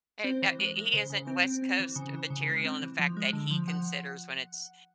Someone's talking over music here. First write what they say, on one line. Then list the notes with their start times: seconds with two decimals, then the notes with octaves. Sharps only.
He that h he isn't West Coast material in the fact that he considers when it's
0.24 C4 C5
0.42 E3
0.59 G#3
0.76 G#3
0.93 C#3 C5
1.10 C#3
1.27 C4
1.44 C4
1.62 C4
1.79 E3
1.96 C#3
2.14 E3
2.30 C#3
2.48 G#3
2.65 C4
2.83 E3
2.99 F3
3.17 G#3
3.33 D3
3.51 F3
3.68 F3 F#5